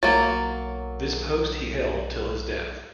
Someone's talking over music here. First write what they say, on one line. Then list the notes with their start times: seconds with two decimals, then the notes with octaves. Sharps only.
This post he held till his death.
0.03 B1 F#3 A#3 A6